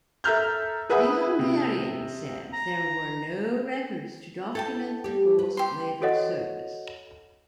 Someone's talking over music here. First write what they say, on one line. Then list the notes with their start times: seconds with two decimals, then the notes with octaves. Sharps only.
The Hungarians said there were no records to document the forced labor service.
0.24 A4 E5 A#5 F6 G6
0.90 G#4 B4 E5 F#5 B5 D#6
1.39 C3
2.53 A#5
4.55 E4 A4 G5 A5
5.04 G3 G4
5.39 B4
5.57 G4 C6
6.01 F#4 A4 C#5 D#5 F#5